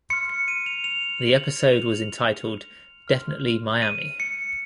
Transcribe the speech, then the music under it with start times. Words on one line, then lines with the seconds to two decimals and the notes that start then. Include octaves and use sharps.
The episode was entitled, Definitely Miami.
0.10 C6 F6 C#7
0.29 C#7
0.48 D#7
0.66 F7
0.84 F7
1.22 F#7
1.60 F7
3.08 C6 F6
3.82 D#7
4.20 C#7